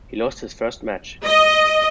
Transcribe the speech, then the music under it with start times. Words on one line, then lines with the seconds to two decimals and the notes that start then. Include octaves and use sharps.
He lost his first match.
1.26 D#5